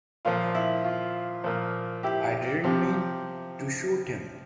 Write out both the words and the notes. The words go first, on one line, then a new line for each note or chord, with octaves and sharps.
I didn't mean to shoot him.
A#2 F3 F4
E4
F4
A#2 F3
E4 G4
C3 F3